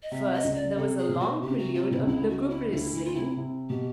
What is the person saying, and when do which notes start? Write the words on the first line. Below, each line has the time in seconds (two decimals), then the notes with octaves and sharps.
First, there was a long prelude of lugubrious singing.
0.03 D#5
0.11 C3 E5
0.34 D#5
0.44 C#2 C#3
0.55 D5
0.76 C3 A4
0.98 G#4
1.09 B2
1.20 F#4
1.42 C3 G4
1.50 C#3
1.58 C3 F#4
1.74 C3 F4
1.91 B2 E4
1.99 C3
2.07 C#2 C#3 E4
2.29 F#4
2.50 E4
2.72 D2 D3 E4
2.93 D2 D3 E4
3.05 F4
3.15 C3 E4
3.37 C3
3.70 B2 G4